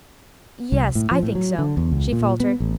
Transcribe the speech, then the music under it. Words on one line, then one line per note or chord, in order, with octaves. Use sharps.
"Yes--I think so," she faltered.
C2
A2
F3
A2
F#3
D3
E2
C#2
A#2
B3
A1